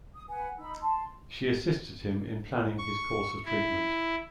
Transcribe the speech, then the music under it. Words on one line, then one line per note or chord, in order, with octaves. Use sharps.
She assisted him in planning his course of treatment.
D#6
B4 F#5 G#5
D#4 B5 E6
A5 C6
C#6
E4